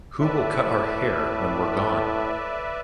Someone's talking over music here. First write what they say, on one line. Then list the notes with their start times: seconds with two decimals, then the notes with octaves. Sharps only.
Who Will Cut Our Hair When We're Gone?
0.21 A2 B4 D5 E5